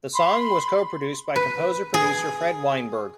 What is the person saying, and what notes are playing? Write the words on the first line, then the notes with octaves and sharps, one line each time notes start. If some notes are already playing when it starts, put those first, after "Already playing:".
The song was co-produced by composer-producer Fred Weinberg.
B5 C6
B4
G#4